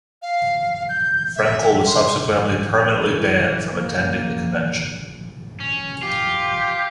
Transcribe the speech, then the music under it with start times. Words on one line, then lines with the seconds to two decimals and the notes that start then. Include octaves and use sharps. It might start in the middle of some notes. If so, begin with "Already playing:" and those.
Frenkel was subsequently permanently banned from attending the convention.
0.22 F5
0.89 G6
1.36 E5
1.87 C6
3.08 E3
3.73 A#3
5.60 C#4
6.03 F4 G4